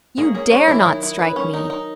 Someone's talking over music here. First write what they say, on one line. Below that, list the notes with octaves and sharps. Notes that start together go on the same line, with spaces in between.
You dare not strike me!
A#3 C#4 G#4
A#3 C#4 G#4
G#3 B3 C#4
E3 G#3 E4
D#3 F#3 E4
E4
B4
C#4
D#4
D#4